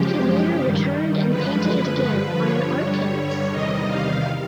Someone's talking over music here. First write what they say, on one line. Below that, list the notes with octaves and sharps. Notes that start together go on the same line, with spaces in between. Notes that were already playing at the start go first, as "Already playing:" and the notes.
He later returned and painted it again on an art canvas.
Already playing: F#2 C#3 F3 G#3 G4
G2 D#3 G3
F#2 D3 F3 G#3 B4
G2 D3 F3
C#5
G2 D3 G3
E2 C3 D#3 G3 D#5
F5